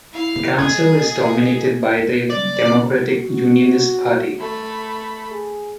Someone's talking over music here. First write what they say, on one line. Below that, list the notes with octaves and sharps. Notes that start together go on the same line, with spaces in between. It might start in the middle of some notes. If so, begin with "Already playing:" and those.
The Council is dominated by the Democratic Unionist Party.
E4 E5 F5
G#4 A4 D#5 G#6
D5
F#4
A3 B5
G#4